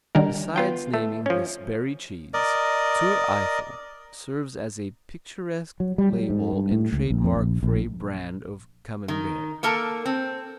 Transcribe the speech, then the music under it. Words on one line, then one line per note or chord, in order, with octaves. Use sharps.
Besides naming this Berry cheese, Tour Eiffel serves as a picturesque label and trademark for a brand of Camembert.
D#3 G3 D4 A#4
B3 F4 G5
A3
F3 C#4
A#4 D5 D#5
F#3
G3
F#3
G#2
G2
A2
C#2
A#1
F2
A#1
A#1
D#3
A#3 A4 A#4 A5
C4